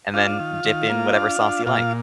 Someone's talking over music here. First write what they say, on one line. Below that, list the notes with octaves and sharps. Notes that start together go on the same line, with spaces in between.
And then dip in whatever sauce you like.
D4 F4 F5
D#3
D#3
A#3
D4
D4
A#2 F4 F5